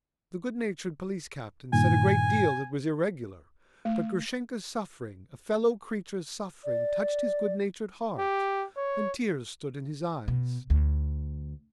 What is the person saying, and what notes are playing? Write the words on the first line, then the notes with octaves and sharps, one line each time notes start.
The good-natured police captain said a great deal that was irregular, but Grushenka's suffering, a fellow creature's suffering, touched his good-natured heart, and tears stood in his eyes.
G2 A#2 D#3 G#5
A3
D5
G4
C#5
B2
D2